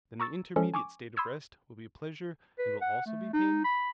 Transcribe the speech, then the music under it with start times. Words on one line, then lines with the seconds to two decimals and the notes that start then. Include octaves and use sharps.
Then the intermediate state of rest will be pleasure and will also be pain?
0.20 A#5 C#6 E6 A6
0.56 F3 G#3 C#4 A4
0.74 G#5 C#6 D6
1.17 B5 C6 D#6 E6 G#6 C#7
2.59 B4
2.81 F#5
3.06 A3
3.33 D#4
3.64 B5